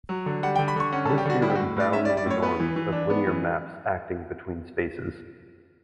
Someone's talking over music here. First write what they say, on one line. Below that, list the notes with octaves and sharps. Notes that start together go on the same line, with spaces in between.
This theorem bounds the norms of linear maps acting between spaces.
F#3
D3
G3 F#5
G5
D3
B5
D3 C#6
C#4 F#5
A4
G3
G4
D3 F#4
G3 E4
G4
F#4
A2
A2 D5
C#4 E5
D5
G3
D5
A2 C#5
B3 B4
E3
E3
D4
B3
E3